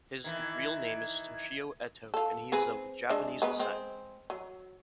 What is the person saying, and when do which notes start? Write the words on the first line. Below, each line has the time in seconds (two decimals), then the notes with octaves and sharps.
His real name is Toshio Eto, and he is of Japanese descent.
0.24 D#3 E3 G#6
2.14 F4 A4
2.52 C4 G#4 B4
3.10 G#3 D4 E5
3.42 G#3 B3 B4
3.59 G#3 C4
4.30 F#3